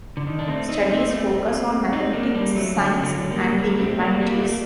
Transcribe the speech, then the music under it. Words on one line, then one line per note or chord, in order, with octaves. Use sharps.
Studies focus on mathematics, science, and the humanities.
D3
D#3
D4
A3 C4
C4 D#4
C4 D#4
A3 C4
C4 D#4
A#3 D4
G3 A#3
F#3 A3
D3 F#3
D3 F#3
G3 A#3
G3 A#3
A3 C4
G3 A#3
G3 A#3
A3
A#3